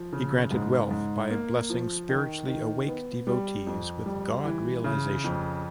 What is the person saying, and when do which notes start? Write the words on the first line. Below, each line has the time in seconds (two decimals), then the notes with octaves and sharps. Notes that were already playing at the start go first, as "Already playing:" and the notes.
He granted 'wealth' by blessing spiritually 'awake' devotees with God-realization.
Already playing: F3
0.13 C#3
0.52 G#2
0.91 G#2
1.31 A#3
1.70 F3
2.09 D#3
2.48 D#3
2.88 B3
3.27 G3
3.67 F2
4.06 G3
4.45 E3
4.84 C#3
5.24 F2